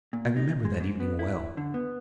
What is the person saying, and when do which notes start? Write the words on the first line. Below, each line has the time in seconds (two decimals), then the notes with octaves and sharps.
I remember that evening well.
0.13 A#2
0.36 D#4
0.65 G#3
0.80 G#2
1.00 B3
1.19 E4
1.57 D3
1.74 B3